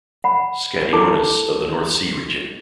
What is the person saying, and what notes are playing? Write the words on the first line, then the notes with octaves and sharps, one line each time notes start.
"Scaniornis" of the North Sea region.
F#5 B5
E4 A4 A5 D6